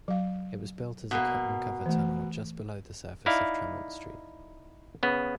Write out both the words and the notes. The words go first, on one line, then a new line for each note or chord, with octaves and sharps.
It was built as a cut-and-cover tunnel just below the surface of Tremont Street.
F#3 F5
B2 A#3
E3 A3
D#4 E4 D5 F5
C#3 B3